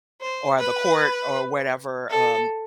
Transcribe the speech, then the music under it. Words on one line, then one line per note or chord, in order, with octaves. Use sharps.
or the court or whatever, um,
C5
B4
A4